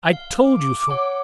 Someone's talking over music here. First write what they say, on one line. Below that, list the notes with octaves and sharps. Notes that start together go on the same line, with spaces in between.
I told you so.
F5
D6
C#5 F#5